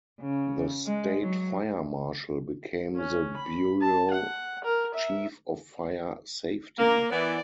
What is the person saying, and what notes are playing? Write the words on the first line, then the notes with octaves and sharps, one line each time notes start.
The State Fire Marshal became the Bureau Chief of Fire Safety.
C#3
G#3
F#3
C#4
B5
A5
F#5
A#4
E5
A#3 A#4
E3 B3 D5